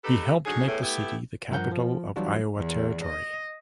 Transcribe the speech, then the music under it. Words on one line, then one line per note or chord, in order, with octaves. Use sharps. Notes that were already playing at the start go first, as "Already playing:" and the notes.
He helped make the city the capital of Iowa Territory.
D#4 G4 A4 B4
D3 F#3 C#4 D#4 G#4
E2 A2
A3 B3 E4 G4
G2 F3 A#4 F#5 G6
F3
E3 F#3 G3 D4 F4 F#4
E2
D#5